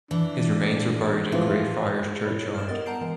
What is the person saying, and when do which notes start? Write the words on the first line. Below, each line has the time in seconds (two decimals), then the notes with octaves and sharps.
His remains were buried in Greyfriars Churchyard.
0.11 E3 D4
1.32 E3 F3 F4
2.25 E4 A4 C#5
2.55 F6 E7
2.68 B3 A#4 D#5 F6 A6
2.86 F#5 A5 A#5 G6 C7 D7
3.01 E3 G#3 A#4